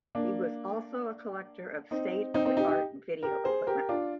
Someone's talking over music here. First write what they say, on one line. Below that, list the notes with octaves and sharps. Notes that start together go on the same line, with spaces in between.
He was also a collector of state of the art video equipment.
A#3 D4
C4 D#4
C4 D#4
C4 D#4
D#4 G4
D#4 G4
G4 A#4
G#4 C5
G4 A#4
D4 F4